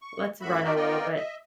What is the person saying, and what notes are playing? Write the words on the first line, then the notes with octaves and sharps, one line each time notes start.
"Let's run a little bit
C#6
F#2 A2 F#4 E5 B5
D4 D#4 F#4 A#4 D5 E5
B3 F4 A#4 D5 D#5 G5
D#5 E5